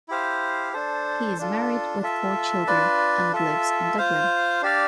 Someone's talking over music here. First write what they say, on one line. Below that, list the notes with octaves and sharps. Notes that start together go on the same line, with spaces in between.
He is married with four children and lives in Dublin.
E4 G4 C5 F5
D4 A4 C5
D4 F4 A4
F4 A4 E5
D4 F4 B4 D5
F4 A4 E5
F4 C5 F5
D4 G4 D5 F5